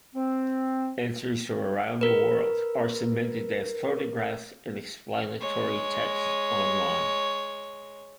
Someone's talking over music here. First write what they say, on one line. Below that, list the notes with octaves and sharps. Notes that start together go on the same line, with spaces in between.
Entries from around the world are submitted as photographs and explanatory text online.
C4
A#4 B4
G#3 C#5